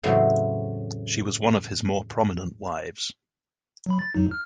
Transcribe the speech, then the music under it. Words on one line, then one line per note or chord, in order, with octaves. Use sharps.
She was one of his more prominent wives.
E2 A2 C#3 E3 F#3 C4
F#3 B5
A6
F2 F#3 D#4
F6